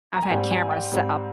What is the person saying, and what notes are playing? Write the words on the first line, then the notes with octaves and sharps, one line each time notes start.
I've had cameras set up
A#5
G#5
G#2 G3 C4 G5
G#5
G5
G#2 G3 C4